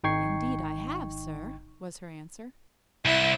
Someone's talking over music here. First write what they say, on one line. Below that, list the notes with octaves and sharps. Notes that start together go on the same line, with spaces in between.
"Indeed I have, sir," was her answer.
G#1 D#4 G5 C#6 G#6 C7
C2 E4